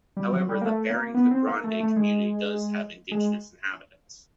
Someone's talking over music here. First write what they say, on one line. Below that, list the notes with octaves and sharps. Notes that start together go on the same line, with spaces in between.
However, the Barranca Grande community does have indigenous inhabitants.
G3
F#3
G3
A#3
A3
A#3
B3
C4
A#3
A3
A3
G#3
G#3